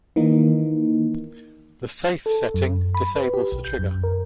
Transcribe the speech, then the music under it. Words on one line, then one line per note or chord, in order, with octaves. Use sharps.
The "safe" setting disables the trigger.
D#3 E3 A#3 D#4
A4
F#2
B5
B4
G4
B1
G6
F#2
A#4